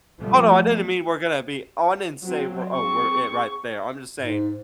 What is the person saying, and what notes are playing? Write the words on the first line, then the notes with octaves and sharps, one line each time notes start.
Oh no, I didn't mean we're gonna be on and say, "We're Oh, we're it right there." I'm just saying,
F3 G3 A3 B3
F#3 C4
C4 G#4 C#6
G#2